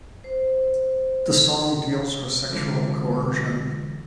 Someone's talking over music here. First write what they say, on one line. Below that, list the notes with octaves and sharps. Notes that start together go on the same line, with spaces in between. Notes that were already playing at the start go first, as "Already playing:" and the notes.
The song deals with sexual coercion.
C5
D3 E3 G#3 F4